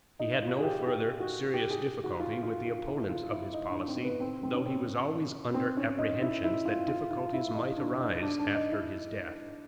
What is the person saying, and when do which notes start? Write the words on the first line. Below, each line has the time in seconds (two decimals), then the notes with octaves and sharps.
He had no farther serious difficulty with the opponents of his policy, though he was always under apprehensions that difficulties might arise after his death.
0.20 D#4
0.42 F4
0.59 G#4
0.64 G4
0.87 G4
1.20 F#4
1.54 G4
1.70 G#4
2.04 F#4
2.20 F4
2.43 F4
2.65 F4
2.88 E4
3.09 F4
3.31 E4
3.54 D#4
3.70 D4
3.88 C4
4.04 B3
4.20 C4
4.43 C4
4.54 C#4
4.66 C4
5.54 C4
5.77 C#4
5.99 D#4
6.22 E4
6.44 E4
6.65 F4
6.88 F4
7.11 F4
7.33 E4
7.55 D#4
7.77 D4
8.00 D#4
8.23 D4
8.39 D4
8.55 D#4
8.72 E4